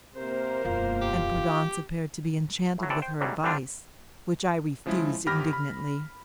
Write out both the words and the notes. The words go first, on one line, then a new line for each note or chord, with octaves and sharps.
And Prudence appeared to be enchanted with her advice, which I refused indignantly.
C3 A#3 A#4 C5
E1 F#2 F4
G4
A2 F#3
A2 C3 E3 A4 D5 A5
C5 G5
D2 G#2 F#3 G3
D3 G3 C4 D4 F4
C#3 F3 G#3 E4
G1 G4 B5 F6 A#6
B5